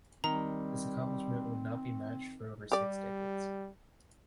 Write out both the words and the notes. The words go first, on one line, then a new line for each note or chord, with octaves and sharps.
This accomplishment would not be matched for over six decades.
D#3 G3 C4 A#5
G3 G4 D5